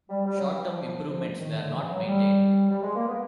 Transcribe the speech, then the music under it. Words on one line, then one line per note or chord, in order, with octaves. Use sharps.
Short-term improvements were not maintained.
G3
G3
F#3
G3
F3
F3
F3
D#3
D3
E3
F#3
G3
G3
G#3
A#3
B3